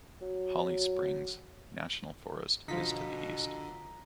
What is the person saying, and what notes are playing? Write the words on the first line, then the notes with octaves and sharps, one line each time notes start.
Holly Springs National Forest is to the east.
F#3
B2 D3 F3 D#4 F4 B6